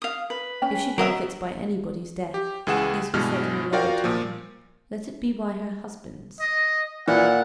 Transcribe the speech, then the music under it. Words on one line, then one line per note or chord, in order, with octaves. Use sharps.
'If she profits by anybody's death,' this was said in a lower tone, 'let it be by her husband's.
F5 D#6
B4
C#4 G5
F#3 F#4 A#4 B4 D#5 E5 F#5
G4
C#2 E3 G#4 F#5 E7
G2 B2 E3 G#3 F6
F4 F#4 A#4 D5 F5 G5
A#2 F3
D#5
A#2 E3 F#5